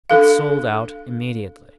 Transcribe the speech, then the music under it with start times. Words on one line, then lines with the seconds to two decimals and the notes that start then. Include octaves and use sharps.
It sold out immediately.
0.10 D4 A4 F5